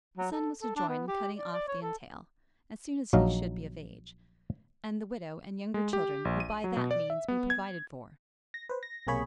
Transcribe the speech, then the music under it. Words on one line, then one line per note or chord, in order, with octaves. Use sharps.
The son was to join in cutting off the entail, as soon as he should be of age, and the widow and younger children would by that means be provided for.
F#3
A4
A4
D4
B3
G4
D5
D5
C#5
A4
A#1 F#3 D#4 F5
G#3
G4
A#1
D#7
F#3
B2
D5
E5
B3
G#6
A#6
B4 C5
A#6
B1 C3 A#3 G#4 C#5 B5